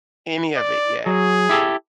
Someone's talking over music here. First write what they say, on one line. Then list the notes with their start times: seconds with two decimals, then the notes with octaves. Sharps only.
any of it yet,
0.57 D5
1.06 F#3 G#4
1.49 E4 G4 A4